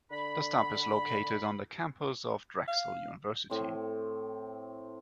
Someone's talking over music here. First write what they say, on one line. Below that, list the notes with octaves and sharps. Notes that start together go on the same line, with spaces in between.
The stop is located on the campus of Drexel University.
D3 B5
F5
A2 C4 C6